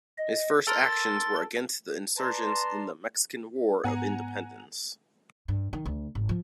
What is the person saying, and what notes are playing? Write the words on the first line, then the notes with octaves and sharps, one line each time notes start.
His first actions were against the insurgents in the Mexican War of Independence.
D#5
A4 A#4 C6 A6
B4 D5 A5 A#5 C6
G#2 B3 F#5 G#5 A#5
G2
D#3
D2
G#1
F3